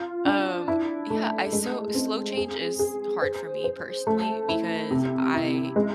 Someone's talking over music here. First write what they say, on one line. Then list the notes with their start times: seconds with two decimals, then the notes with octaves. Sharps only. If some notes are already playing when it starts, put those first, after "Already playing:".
Um, yeah, I, so slow change is hard for me, personally because I
Already playing: F4
0.25 D4
0.68 E4
1.10 A3
1.52 G#3
1.94 C4
2.37 G#4
2.79 G#4
3.22 C5
3.64 C5
4.07 A3
4.49 E4
4.91 C3
5.34 E4
5.76 G#3